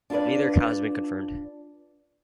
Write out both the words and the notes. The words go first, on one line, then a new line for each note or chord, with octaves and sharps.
Neither account has been confirmed.
D4 F4 F#4 B4 D5